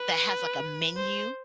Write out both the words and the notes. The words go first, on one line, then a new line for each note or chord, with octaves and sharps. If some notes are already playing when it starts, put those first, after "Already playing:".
that has, like, a menu
Already playing: B4
C5